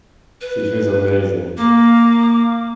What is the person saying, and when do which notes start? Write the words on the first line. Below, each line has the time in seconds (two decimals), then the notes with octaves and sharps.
Sushi is amazing,
0.41 B4
1.57 A#3 D6